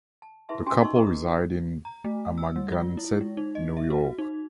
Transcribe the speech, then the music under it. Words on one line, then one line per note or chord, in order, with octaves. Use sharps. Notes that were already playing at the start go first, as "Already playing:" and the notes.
The couple reside in Amagansett, New York.
A5
E4 G#4 B4 E5 A5 C6
C#4 D4 F#4 G4 G#5
D#4 D#5 A5 C6 C#6 E6
G#4 A4 B4 D#5 A#5 C#6
D#6
A#5
A3
E6
G3
F4
E4
G#3
D#4
D#5
E5
F#4
D#4